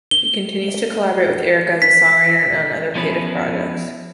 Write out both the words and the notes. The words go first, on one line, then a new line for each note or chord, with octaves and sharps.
He continues to collaborate with Erica as a songwriter and on other creative projects.
G7
B6
F3 B3 C#4 E4 B4